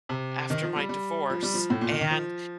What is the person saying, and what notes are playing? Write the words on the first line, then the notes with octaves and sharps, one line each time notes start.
after my divorce. And,
C3
D#3
F3
G3
G3
F3
G3
F3
A2
A#2
D#3
D#3
F3